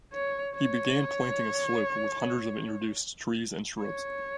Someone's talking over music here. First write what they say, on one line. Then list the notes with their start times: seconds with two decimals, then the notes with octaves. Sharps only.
He began planting a slope with hundreds of introduced trees and shrubs.
0.13 C#5
0.54 C#5
3.81 C#5